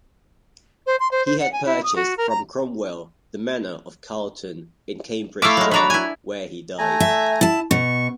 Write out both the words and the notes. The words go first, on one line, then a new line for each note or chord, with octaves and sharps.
He had purchased from Cromwell the manor of Carleton in Cambridgeshire, where he died.
C5
C6
C5
C5
F#5
G#5
E4
D#6
F#4
A#4
A#5
A3 E4 E5 F5 D6
F#3 G#3
F#3 D4 F#4 A#5 B5
E4 G#5
A3 G#5 A#5
E5
E4 A5
B2 C#6